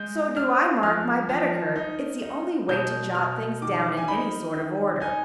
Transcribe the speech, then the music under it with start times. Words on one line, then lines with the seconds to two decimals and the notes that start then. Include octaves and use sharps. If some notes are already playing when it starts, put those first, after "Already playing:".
So do I mark my Baedeker; it's the only way to jot things down in any sort of order.
Already playing: G#3 G6
0.36 D4 F6
0.83 F3 F6
1.29 F3
1.76 D#4
2.23 D#4
2.69 B2 G6
3.15 B2 F6
3.62 D#3 D6
3.97 G#5
4.08 D#4 B5
4.54 D#3
5.00 D#4 G#5